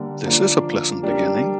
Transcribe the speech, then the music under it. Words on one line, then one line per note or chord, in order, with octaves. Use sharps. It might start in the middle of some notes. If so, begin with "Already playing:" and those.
This is a pleasant beginning.
Already playing: D3 G3 A#3
F3 A#3 D4
G3 D4 G4 A#4